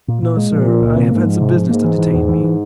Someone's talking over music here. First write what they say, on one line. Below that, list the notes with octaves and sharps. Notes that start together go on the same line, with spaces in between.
"No, sir; I have had some business to detain me."
A#2
A#2
G#3
A#2 F3
F3
C#2
C3
G#2 A#3
F3
C3
F3
G#2 A#3
E3
E3
E2
E3
E3